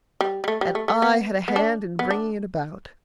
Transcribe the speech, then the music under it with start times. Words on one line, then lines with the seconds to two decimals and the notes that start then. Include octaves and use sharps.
And I had a hand in bringing it about.
0.21 G3
0.44 G3
0.48 A3
0.61 G3
0.75 A3
0.88 A3
1.02 B3
1.48 B3
1.56 D4
1.99 B3
2.11 D4